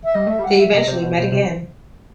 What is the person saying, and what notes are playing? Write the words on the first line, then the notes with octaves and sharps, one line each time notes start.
They eventually met again.
E5
G3 D#5
A3 E5
G3
F#5
E5
C3 D#5
C3 C5
B2
B2
C3